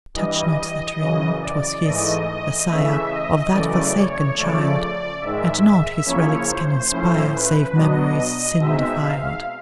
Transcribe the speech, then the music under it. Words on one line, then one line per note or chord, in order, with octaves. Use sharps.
Touch not that ring; 'twas his, the sire Of that forsaken child; And nought his relics can inspire Save memories, sin-defiled.
G2 E3 G3 D#5
F#2 C#3 E3
D5
G#2 E3 A3 D#5
C#3 E3 A3 E5
D#5
F#2 C#3 E3 A3 D5
C#5
C#3 F3 A3 D5
G#2 D#3 G#3 E5
E5
C#3 F3 A#3 C#4 E4 C#5
C5
A2 F3 A3 C#4 E4
B4
B2 F#3 B3 D4 D#5
B2 G#3 C4 D#4 E5
F5